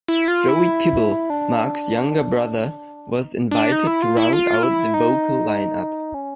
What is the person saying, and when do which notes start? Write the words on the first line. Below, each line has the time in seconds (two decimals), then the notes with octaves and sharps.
Joey Kibble, Mark's younger brother, was invited to round out the vocal lineup.
0.08 E4
0.28 F4
0.48 E4
1.30 D4
3.12 D#4
3.51 D4
3.72 D#4
3.87 E4
4.02 F4
4.17 E4
4.33 F4
4.63 E4
4.94 D#4
6.14 C#4